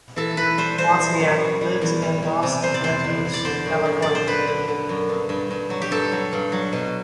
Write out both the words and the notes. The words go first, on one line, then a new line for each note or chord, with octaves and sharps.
Wozniak lives in Los Gatos, California.
E3 A4
E3 B4
G3 C5
E3 C5
E3
F#2
G3
G3
E2
G3
E2
C3
C3 C5
D5
E2 C5
E2
E2
D5
D3 C5
F#2
D3
D3 D5
C5
D3 B4
D3
D3
F#2
G2
G2
G2
F#3
G4
G2 A4
F#3
G2
F#3
B2